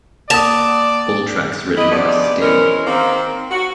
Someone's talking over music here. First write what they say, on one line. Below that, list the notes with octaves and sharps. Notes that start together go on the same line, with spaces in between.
All tracks written by Sting.
A#3 D5 F#5 A5 D#6
E4 G4 D#5
G2 C3 G#3 B3 D5
E3 G#3 C4 C#4 A#4
D#3 A#3 C4
F#4